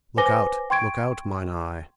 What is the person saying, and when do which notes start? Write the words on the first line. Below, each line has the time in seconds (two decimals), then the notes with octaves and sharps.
Look out, look out, mine eye!
0.17 B4 C5 G#5 D6 A#6 G7
0.70 G5 C6 C#6 G#6 D7